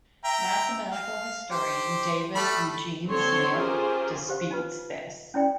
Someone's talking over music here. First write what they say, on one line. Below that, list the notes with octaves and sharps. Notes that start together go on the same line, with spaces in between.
Mathematical historian David Eugene Smith disputes this.
E5 G5 A#5
F5
G4 C5
G3 A3 B5
D3 C4 A4 C#5 C6
C#4 F4 G4 G#4 A#4 C5
G4 C5 F5
D#4 F4 B4
C#4 E4 D5 G5